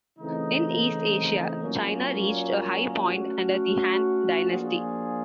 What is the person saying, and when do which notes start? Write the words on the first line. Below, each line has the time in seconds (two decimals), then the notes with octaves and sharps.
In East Asia, China reached a high point under the Han Dynasty.
0.18 C#3 E3 A3 C4 D#4
1.61 A#2 F#3 A#3 C#4 F4
3.04 A3 C#4 F#4
4.48 F3 A#3 D4 F4 G#4